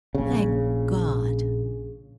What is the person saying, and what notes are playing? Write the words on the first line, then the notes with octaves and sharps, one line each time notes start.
"Thank God!"
A#1 C#3